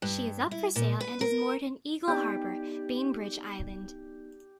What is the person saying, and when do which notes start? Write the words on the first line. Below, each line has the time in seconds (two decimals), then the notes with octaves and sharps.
She is up for sale and is moored in Eagle Harbor, Bainbridge Island.
0.02 G2
0.51 E4
0.76 A#2
1.01 B4
1.21 A#4
2.08 B3 D#4 G4 D5